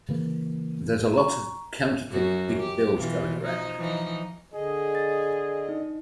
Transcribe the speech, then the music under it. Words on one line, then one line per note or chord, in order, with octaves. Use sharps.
There's a lot of counterfeit big bills going around.
C#3 E3 A#3
A#5 C#6
F#2 F#4
G4
B2 E3 F4
F3 D#4
E3 F3 D#4
D3 G#4 D#5
A6
D#4